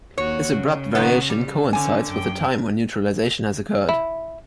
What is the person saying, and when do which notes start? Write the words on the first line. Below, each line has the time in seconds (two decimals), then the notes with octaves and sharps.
This abrupt variation coincides with the time when neutralization has occurred.
0.18 D#2 F#4 C#5
0.52 C#3
0.95 F#2 D#3 B3
1.30 G3
1.73 D3 C#4 G#5
2.09 F#2 G5
3.89 E4